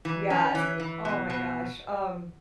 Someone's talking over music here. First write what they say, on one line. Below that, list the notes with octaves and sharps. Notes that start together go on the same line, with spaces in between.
Yes, oh my gosh. Um, mm
E3
C#4
E3
E3
B2
B2